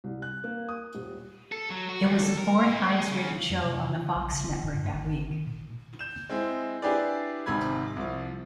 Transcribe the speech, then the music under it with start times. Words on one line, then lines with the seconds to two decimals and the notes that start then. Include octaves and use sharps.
It was the fourth-highest-rated show on the Fox Network that week.
0.04 C2
0.22 F#6
0.44 A#3
0.69 D#6
0.95 D#1
1.52 A4
1.70 F#3
1.89 F#4
2.06 D#2
2.23 A4
2.38 A#4
2.66 A2
2.81 C4
2.92 G#3
3.12 C#3
3.50 F2
3.64 C3
3.87 C#3
4.16 A#1
4.33 C#3
4.47 D1
4.63 G#2
4.78 G2
4.94 G#1
5.31 D#3
5.47 A#2
5.99 G6 E7
6.30 G#3 C4 E4
6.82 D4 E4 G4 G#4 B4 D5
7.46 G#1 G#2 C3 B5 G#6
7.96 C2 F3